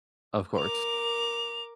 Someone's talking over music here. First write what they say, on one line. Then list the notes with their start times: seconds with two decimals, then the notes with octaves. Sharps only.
Of course.
0.58 A#4 D6 F7